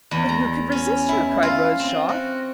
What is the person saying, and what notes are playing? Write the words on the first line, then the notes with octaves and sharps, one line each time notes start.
"But who could resist her?" cried Rose Shaw.
E2
A#5
C#4
E4
F4
C4
F#4